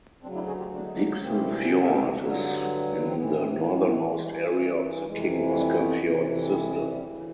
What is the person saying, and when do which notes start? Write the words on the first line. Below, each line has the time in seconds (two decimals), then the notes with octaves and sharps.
Dickson Fjord is in the northernmost area of the King Oscar Fjord system.
0.22 D2 C#3 F#3 C4 D4
0.34 D4 E4
0.47 F#4 G#4
0.58 F4 G4
0.71 D4
0.82 D#4
0.93 C4 D4
1.19 D2 C3 E3 A#3 C4
2.15 G2 D3 F#3 A3 B3
2.27 G#3 A#3
2.40 G3 A3
2.52 G#3
2.64 G3
2.76 G#3
2.88 G3 A3
3.00 B3
3.07 C4
3.13 A2 E3 B3
3.23 C4
3.29 B3
3.38 C4
3.45 A3 B3
3.60 A#3 C4
3.73 B3 C#4
3.85 B3 C#4
3.98 G3 A3
4.09 G2 E3 G#3
4.58 G3
5.01 A3
5.06 F2 C3 E3 G#3
5.49 G#3
5.55 G3 A3
5.71 C4
5.78 A3 B3
6.02 F2 C3 E3
6.51 A#3 C4
6.67 B3 C#4
6.83 G3
6.99 D2 C#3 E3